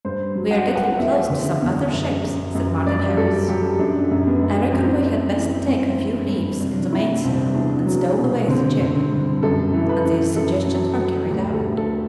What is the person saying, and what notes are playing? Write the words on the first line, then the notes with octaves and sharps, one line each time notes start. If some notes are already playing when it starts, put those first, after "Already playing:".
"We are getting close to some other ships," said Martin Harris. "I reckon we had best take a few reefs in the mainsail and stow away the jib," and these suggestions were carried out.
G2 C5
F#3
F#5
F#3
F#5
E2 E5
D3
E2
F#2
F#2
F#2
G2 D5
G4
F#3 A4
F#3 G4
F#2 D4
F#2
B3
F#2
F#2 C4
F#2
E3
G2 C4
G2
G2
C3 D4
C3 E4
C2 C4
E2 D4
F#3
B2
D3 C4
D3
C4
G2
F#2 A4
E3
B4
E3
F#2 A4
F#3
F#3
D2 G4
A4
D2
A4